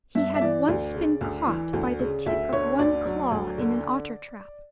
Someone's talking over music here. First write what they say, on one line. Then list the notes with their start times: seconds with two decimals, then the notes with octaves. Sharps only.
He had once been caught by the tip of one claw in an otter-trap.
0.15 G2 E5
0.34 E5
0.41 E3 D5
0.68 D2
0.94 C#3
1.21 D2
1.47 E3
1.73 D2
1.99 C#3
2.26 D2 E5
2.53 D3 C#5
2.79 D2 D5
3.06 F#3
3.32 D2
3.58 D3